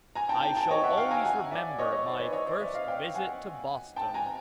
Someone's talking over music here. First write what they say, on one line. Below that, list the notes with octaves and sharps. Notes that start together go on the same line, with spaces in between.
I shall always remember my first visit to Boston.
G#5 A#5
G5 A5
G5 A5
G5 A5
C#5 D#5
E5 F#5
F5 G5
G#5 A#5
F#5 G#5
D5 E5
C#5 D#5
C#5 D#5
C5 D5
B4 C#5
C#5 D#5
C5 D5
D5 E5
D#5 F5
F5 G5
F#5 G#5
G5 A5
G#5 A#5